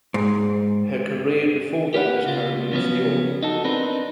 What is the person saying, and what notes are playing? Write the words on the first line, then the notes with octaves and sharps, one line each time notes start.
Her career before then is currently obscure.
G#2
G4 A#4 B4 F#5
C#3 F4
C#3 F3 F#3 B3 C#4
D#4 F#4 A4
C4 D4 D#4 A#4 B4